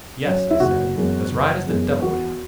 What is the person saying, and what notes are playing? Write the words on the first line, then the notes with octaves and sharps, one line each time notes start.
"Yes," I said, "as right as the devil would have it."
F#3 C#4
E4
F#1 F#4
F#2 E3 G#3 B3
F#1
F#2 E3 G#3 B3
E2 F#4